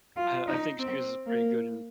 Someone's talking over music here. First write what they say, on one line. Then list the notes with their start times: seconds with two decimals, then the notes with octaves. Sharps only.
I I think she was, uh, pretty good in
0.17 F4
0.47 D#4
0.79 C4
1.27 A#3